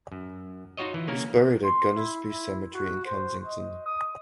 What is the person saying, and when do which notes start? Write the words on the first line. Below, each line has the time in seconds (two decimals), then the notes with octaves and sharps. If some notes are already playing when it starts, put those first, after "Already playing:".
He is buried at Gunnersbury Cemetery in Kensington.
0.12 F#2
0.77 D#4 F4 F#4 C#5 D#5
0.94 E3
1.08 C#3 A#3 C#4 A#4
1.64 C6
1.96 E4
2.32 E4
2.74 F#4
3.05 C5
3.45 D#5
3.86 D#6